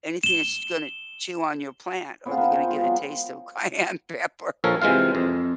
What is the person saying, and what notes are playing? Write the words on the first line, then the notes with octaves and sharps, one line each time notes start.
anything that's gonna chew on your plant or they're gonna get a taste of cayenne pepper.
E7 G7
B3 C4 F4 G#4
B3 A#4
G5
G#3 F4
F#3 G5
A#1 F3 A4 A#4 C#5
C3 E3 G#3 F4 F5
F2